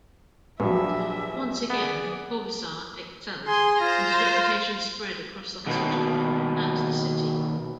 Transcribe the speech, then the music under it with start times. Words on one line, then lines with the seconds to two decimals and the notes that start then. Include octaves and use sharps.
Once again, Corvisart excelled and his reputation spread across the hospital and the city.
0.60 A#1 G2 F#3 E5
1.70 B3 G#4 D5
3.47 G#4 C6
3.80 F4 C5 A#5
5.67 D#2 B2